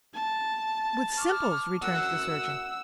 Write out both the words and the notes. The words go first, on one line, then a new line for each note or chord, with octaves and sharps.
"With simples," returned the surgeon.
A5
C#6 D6 F6
F#2 F#5 E6